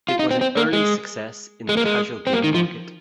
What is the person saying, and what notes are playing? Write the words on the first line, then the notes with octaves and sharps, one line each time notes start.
It was an early success in the casual game market.
F4
D#4
C4
C4
A#3
G#3
G#3
A#3
G#3
C4
A#3
D#3
F3